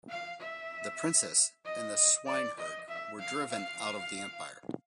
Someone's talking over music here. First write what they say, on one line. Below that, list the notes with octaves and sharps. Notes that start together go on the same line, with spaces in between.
The princess and the swineherd were driven out of the empire.
F5
E5
D#5
D5
D#5
E5
F5
F5